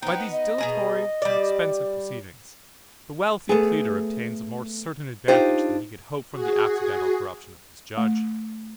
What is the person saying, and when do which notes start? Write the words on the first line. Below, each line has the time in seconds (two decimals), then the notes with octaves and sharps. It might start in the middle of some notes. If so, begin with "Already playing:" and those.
By these dilatory and expensive proceedings, the wealthy pleader obtains a more certain advantage than he could hope from the accidental corruption of his judge.
0.02 B3 D#4 C5 F#5 G5
0.32 D#5
0.58 B2 G#4 A#5
1.22 G3 D5
3.49 A3 B3 G#4
5.28 D4 D#4 F4 G4 C5
6.32 F#4 G#4
7.97 A3